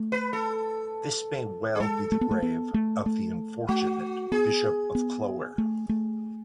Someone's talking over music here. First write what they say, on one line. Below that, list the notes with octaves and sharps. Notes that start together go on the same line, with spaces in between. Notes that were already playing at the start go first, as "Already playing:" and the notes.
This may well be the grave of the unfortunate Bishop of Clogher.
Already playing: A3
B4
A4
G#4
G#3 A4
A3
B3
A3
B3
A3
A3
A3 F#4
B3 G#4
B3
A3
A3